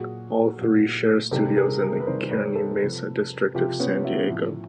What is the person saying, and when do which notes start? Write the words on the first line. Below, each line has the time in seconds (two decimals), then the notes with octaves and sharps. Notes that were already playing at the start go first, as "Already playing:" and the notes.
All three share studios in the Kearny Mesa district of San Diego.
Already playing: A#2 F#3 F#4 G#4
0.58 A#2 F#3
1.31 C3 D#3 G3 G4 A4
1.56 G#4 A#4
1.81 G#4 A#4
2.00 B4
2.07 C3 D#3 G3 A#4 C5
2.31 B4 C#5
2.55 A4 B4
2.81 C3 F3
3.55 C3 F3 F4 G4
3.80 B3 C#4
4.05 E4 F#4
4.29 A2 F3